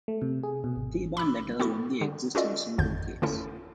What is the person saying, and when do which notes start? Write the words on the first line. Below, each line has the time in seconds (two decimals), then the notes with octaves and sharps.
Theban letters only exist in a single case.
0.08 A3
0.22 C3
0.43 G#4
0.64 B2
0.76 G#1
1.17 B5 D6 E6
1.60 B3 E4 F#4 A4
2.01 D3
2.35 C#4 F4 F#4 A4 D5 D#5
2.78 G#1 F2 D3 G6
3.22 D3 A3 C#4 E4 A4